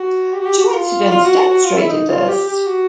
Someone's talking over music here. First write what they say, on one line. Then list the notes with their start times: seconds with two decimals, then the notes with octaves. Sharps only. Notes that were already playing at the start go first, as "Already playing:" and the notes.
Two incidents demonstrated this.
Already playing: F#4
0.33 G4
0.40 F#4
0.46 G4
0.59 F#4
0.72 F4
1.11 F4
1.25 F#4
1.38 F#4
1.50 F#4
1.64 F4
1.77 E4
1.89 D#4
2.09 F4
2.28 G4
2.48 G4
2.67 F#4